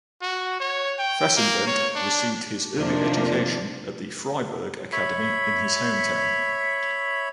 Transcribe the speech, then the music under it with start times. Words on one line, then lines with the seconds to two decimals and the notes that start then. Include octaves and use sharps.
Fessendent received his early education at the Fryeburg Academy in his hometown.
0.22 F#4
0.60 C#5
0.99 G5
1.37 A#3
1.67 C#5
1.95 D4
2.75 F2 C3 D#3 F3 A#3 D4
4.92 C#5 E5 B5